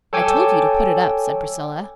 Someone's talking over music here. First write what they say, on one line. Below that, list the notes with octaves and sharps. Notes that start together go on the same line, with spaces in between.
"I told you to put it up," said Priscilla.
A4 C#5 G5 G#5 D6 E6